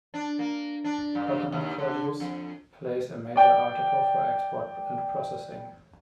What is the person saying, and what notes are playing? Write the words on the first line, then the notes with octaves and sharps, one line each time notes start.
Coconut produce plays a major article for export and processing.
D4
A#3
D4
G2
D#2
D3
F2
D5 G5